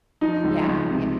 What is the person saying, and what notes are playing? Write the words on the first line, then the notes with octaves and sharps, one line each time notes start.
Yeah, ye
F3 D#4
C#2
C#2
C3